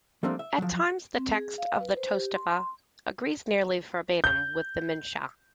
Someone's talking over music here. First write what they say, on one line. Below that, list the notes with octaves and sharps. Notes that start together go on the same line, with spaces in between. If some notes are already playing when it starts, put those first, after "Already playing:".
At times the text of the Tosefta agrees nearly verbatim with the Mishnah.
F3 G3 A3 A#3 C4 D4
E5
F3 F#3
C4
G#4
F5
B4
C5
G4
C6
G6